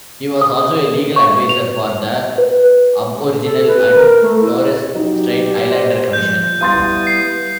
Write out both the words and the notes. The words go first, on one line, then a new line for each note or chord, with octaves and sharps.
He was also a legal advisor for the Aboriginal and Torres Strait Islander Commission.
D#6
C#6
F7
B4
A4
B4
A#4
A3
E4
F#3 D#4 G4
C5 D5
F3 G6
G3 B3 E4 F5 C6 D#6 A6
C7